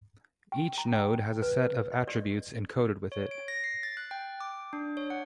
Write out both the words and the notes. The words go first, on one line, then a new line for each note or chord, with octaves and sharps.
Each node has a set of attributes encoded with it.
G5
A#5
G5
B4
D#5
D5
C#5
D7
A#6
C7
A6
F#6
G5
D6
D4
C#5
F#5